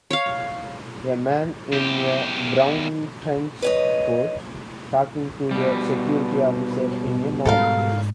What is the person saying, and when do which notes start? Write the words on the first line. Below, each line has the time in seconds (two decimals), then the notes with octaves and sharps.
A man in a brown trench coat talking to a security officer in a mall.
0.11 C#5 F5
1.72 E2 G4
3.62 B4 C#5 D#5
5.51 B2 G3
7.45 G#2 A4 A#4 F5